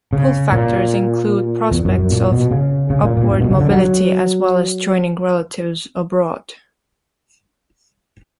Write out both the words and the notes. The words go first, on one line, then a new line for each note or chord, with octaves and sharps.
Pull factors include prospects of upward mobility as well as joining relatives abroad.
C#3
A#2
E2
F#2
F#2
A#2
B2
C#3
C#3
A#2
A#2
G2
B2
C#3
D3
F#3